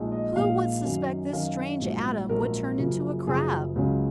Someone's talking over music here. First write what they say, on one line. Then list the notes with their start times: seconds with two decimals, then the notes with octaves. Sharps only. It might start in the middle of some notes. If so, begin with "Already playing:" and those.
Who would suspect this strange atom would turn into a Crab!
Already playing: A#1 A#2 G#3 D#4
0.12 D#5
0.36 A#1 A#2 G#3 D#4 F5
0.84 F#2 D#3 F#3 C#4
1.33 F#2 D#3 F#3 C#4 F5
1.81 A#1 G#2 F#3
2.29 A#1 G#2 F#3 A#4
2.79 F#1 F#2 C#3 F3
3.26 F#1 F#2 C#3 F3 G#4
3.76 C#2 C#3 F#3 C#4